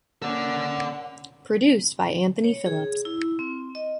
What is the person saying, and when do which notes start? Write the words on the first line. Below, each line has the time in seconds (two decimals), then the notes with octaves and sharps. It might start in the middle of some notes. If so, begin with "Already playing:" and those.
Produced by Anthony Phillips.
0.22 A#3 C#4 A4 D5 F#5
2.44 C#5
2.66 G#4
3.05 E4
3.39 C4
3.75 D#5